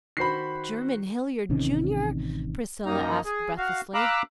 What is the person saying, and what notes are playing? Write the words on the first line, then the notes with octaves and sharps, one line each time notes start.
"Jermyn Hilliard, Junior?" Priscilla asked breathlessly.
D#3 F#4 C5 B5 C7
A1 C3 D#3 C#4
F#2 A#3 D#4 A#5
G#4
F#4 F5
F5 A#5 B5 D6 E6 F#6